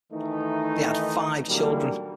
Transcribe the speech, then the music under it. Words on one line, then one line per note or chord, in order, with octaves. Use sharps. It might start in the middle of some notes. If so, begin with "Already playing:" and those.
They had five children.
D#3 E3 A3 D#4
B2 D3 E3 F#3 G3 A#3